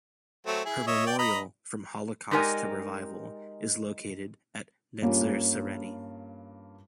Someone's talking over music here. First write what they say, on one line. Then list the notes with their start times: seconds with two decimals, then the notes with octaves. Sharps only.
Her memorial "From Holocaust to Revival" is located at Netzer Sereni.
0.46 F#3 A3 C4
0.65 E4 G#4
0.87 C#5 D#5 E5
1.06 D5 G5
1.19 D#5 A#5 B5
2.31 G#3 D#4 G4 A#4 D5 G#5
5.02 G2 A#3 C#4 F4